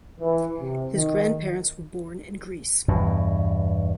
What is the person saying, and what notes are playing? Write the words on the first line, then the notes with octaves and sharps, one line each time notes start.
His grandparents were born in Greece.
E3
C3
D#3
E2 G2 B2